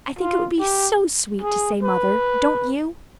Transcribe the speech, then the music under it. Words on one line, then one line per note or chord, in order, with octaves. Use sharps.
I think it would be so sweet to say 'mother,' don't you?
F4
G4
G#4
B4